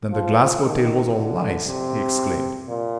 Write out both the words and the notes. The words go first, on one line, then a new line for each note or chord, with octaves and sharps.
"Then the Glasgow tale was all lies?" he exclaimed.
F3
D#3
D3
C3
A#2